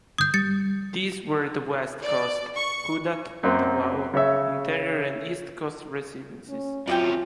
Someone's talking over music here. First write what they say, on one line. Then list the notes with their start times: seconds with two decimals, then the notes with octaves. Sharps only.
These were the West Coast, Kudat, Tawau, Interior and East Coast Residencies.
0.18 G2 D3 D#6 G6 G#6
0.34 G3 A6 C#7
2.02 D5
2.56 C#6
3.43 F#2 A#3 C4
4.14 C#3 C#5 E5
6.49 C#4
6.87 F2 F#3 C#4 F4 D5 E5 G5